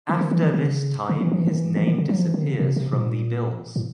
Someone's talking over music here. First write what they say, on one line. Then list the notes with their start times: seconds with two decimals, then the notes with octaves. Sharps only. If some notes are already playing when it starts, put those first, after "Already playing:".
After this time his name disappears from the bills.
0.09 D#3
0.21 D#3
0.31 E3
0.42 D#3
0.54 D#3
0.65 C#3
1.09 D3
1.21 E3
1.32 F3
1.40 E3
1.47 D#3
1.56 E3
1.76 E3
1.87 D#3
1.98 D3
2.09 F#3
2.17 F3
2.26 E3
2.34 D#3
2.43 D3
2.50 C#3
2.60 C3
2.67 C#3
2.76 C3
2.93 A#2
3.76 A2